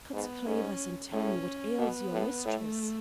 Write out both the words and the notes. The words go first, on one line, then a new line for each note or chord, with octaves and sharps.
"Cut clavers and tell me what ails your mistress!"
G#2 B3
G#2 C#4
A2 C#4
B2 B3
A2
A2 A3